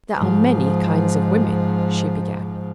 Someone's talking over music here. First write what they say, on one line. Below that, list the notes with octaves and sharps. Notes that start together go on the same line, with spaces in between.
"There are many kinds of women," she began.
G#2 F3